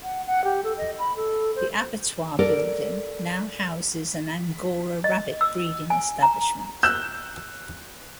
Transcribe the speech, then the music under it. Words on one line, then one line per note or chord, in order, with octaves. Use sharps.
The abattoir building now houses an angora rabbit breeding establishment.
F#5
F#5
G4
A4
D#5
B5
A4
C5
A4 A#4 D5
D#5
E6
G#5
A#5
E6 F#6 G6 E7